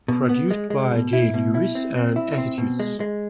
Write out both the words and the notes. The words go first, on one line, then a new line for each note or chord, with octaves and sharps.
Produced by Jay Lewis and Attitudes.
B2
B3
G#3
G#3
B2
E4
B2
E4
C4
C4
E4
C4
B2
G#3
G#3